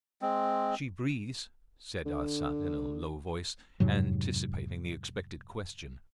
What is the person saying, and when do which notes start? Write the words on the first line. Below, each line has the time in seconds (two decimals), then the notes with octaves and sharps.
"She breathes," said Arsat in a low voice, anticipating the expected question.
0.22 G#3 C4
2.06 D3
3.80 F2 G#2 C3 F#3